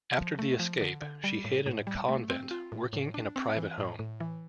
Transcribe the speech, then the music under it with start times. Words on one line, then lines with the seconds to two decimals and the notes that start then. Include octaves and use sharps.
After the escape she hid in a convent, working in a private home.
0.18 F3
0.39 A3
0.59 F3
0.81 D3
1.02 D3
1.24 G3
1.44 A2
1.66 A2
1.87 G3
2.09 A3
2.30 C4
2.51 F4
2.72 A2
2.93 A2
3.14 D4
3.36 C4
3.57 E3
3.78 A2
3.99 A2
4.20 E3